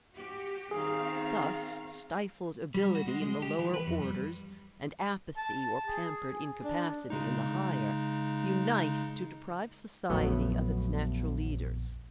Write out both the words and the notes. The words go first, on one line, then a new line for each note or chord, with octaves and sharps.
Thus stifled ability in the lower orders, and apathy or pampered incapacity in the higher, unite to deprive society of its natural leaders.
F#4 G4
D#3 C4 G#4 F5
G3
F#4
G#3
G#3
G4
E3
B4
F2
G3
A5
G#4
D4
C#3 G#3 D#4
A#1 F2 F#3 A3 B3